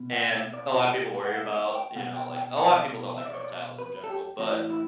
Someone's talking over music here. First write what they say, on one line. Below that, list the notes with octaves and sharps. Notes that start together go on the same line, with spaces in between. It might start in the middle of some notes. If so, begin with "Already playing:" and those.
and a lot of people worry about, you know, like a lot of people don't like reptiles in general, but
Already playing: B2
F#5
E5
D5
F#4
G4
B4
F#5
E5
E5
G5
B2 F#5
G5
G5
F#5
D5
E5
D5
C#5
D5
B4
A4
G4
A2 E3 F#4
E4